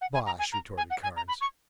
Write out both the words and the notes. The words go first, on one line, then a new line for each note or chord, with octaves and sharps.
"Bosh!" retorted Carnes.
F#5
G#5
A#5
G#5
A#5
G#5
F#5
G#5
A#5
B5
C#6